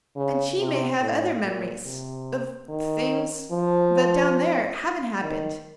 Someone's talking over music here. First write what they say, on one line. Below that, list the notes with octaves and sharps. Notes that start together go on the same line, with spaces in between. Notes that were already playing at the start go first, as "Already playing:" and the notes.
And she may have other memories--of things--that down there haven't happened.
C#3
C3
A2
A#2
C3
D#3
F3
D#3